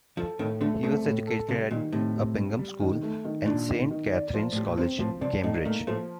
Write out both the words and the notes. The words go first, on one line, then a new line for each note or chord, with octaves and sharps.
He was educated at Uppingham School and Saint Catharine's College, Cambridge.
F2 F3 A4
D#2 A2 D#3
D2 D3 A3
C2 C3 A3
A2
A4
C2 C3 G3
A#2 D#3
A2 C3
C3
G3
G3
D#3
A3
D#3
A#2 D4
D#3
D#3
D5
F3
A2 G4
A#2
C2 C3 C4
A2 F3
C2 C3 D5
A2 A3 D#4
A2 A3 A#3
A2 F3 A3